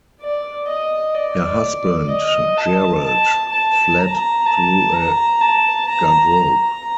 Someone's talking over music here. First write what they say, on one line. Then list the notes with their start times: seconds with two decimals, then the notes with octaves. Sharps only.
Her husband, Gerald, fled through a garderobe.
0.21 D5
0.68 D#5
1.15 D5
2.10 D#5
2.57 A5
3.05 A5
3.52 A5
3.99 A#5
4.46 A5
4.93 A#5
5.41 A5
5.88 A#5
6.35 A#5